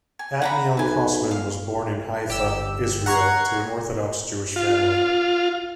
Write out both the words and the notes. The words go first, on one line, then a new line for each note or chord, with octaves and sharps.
Admiel Kosman was born in Haifa, Israel to an Orthodox Jewish family.
G#5
F#5 A#5 B5
B1 B4 G#5
F5
G1 G4 E6
F#5 A#5 C#6 G#6 C7
F4